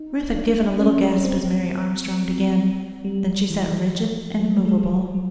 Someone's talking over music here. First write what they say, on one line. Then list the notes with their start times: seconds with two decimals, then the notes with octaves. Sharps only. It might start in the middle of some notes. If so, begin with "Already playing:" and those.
Ruth had given a little gasp as Mary Armstrong began, then she sat rigid and immovable.
Already playing: D#4
0.34 D4
0.79 C#4
1.17 C#4
1.24 C4
3.04 G3
3.50 E3
3.95 F3
4.39 F#3
4.55 A3
4.65 G#3
4.75 G3
4.85 F#3
5.14 F#3